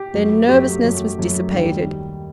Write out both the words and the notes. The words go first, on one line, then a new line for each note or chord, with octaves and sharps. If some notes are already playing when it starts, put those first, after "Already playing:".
Their nervousness was dissipated.
Already playing: G4
F#2 F#3 A3
F#2 F#3 A3 G4
F#2 F#3 A3
F#2 F#3 A3
D#2 D#3 G3